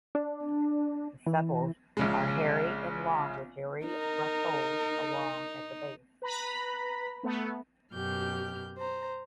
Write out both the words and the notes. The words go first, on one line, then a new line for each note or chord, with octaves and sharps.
The sepals are hairy and long with hairy bracteoles long at the base.
D4
E3
A#1 C#3 G#3
D#4 A#4
B4 A#5 B5
A3 B3
F#2 B2 G4 F6 G6
C5 A#5